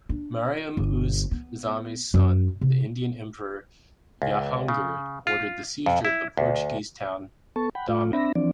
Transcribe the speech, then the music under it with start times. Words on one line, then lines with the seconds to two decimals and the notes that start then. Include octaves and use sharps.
Mariam-uz-Zamani's son, the Indian emperor Jahangir, ordered the seizure of the Portuguese town Daman.
0.09 D4
0.77 G1
1.31 B3
2.14 F#2
2.61 C3
4.22 C#2
4.68 C#3
5.27 F4
5.86 F2
6.05 E4
6.37 D2
7.56 B3 A4 A5 C#6
7.75 F#5 G5 B5
7.88 A2 A3 F4
8.13 C4 D4 E5 B5 A#6
8.36 E3 F3 C4 D4 D5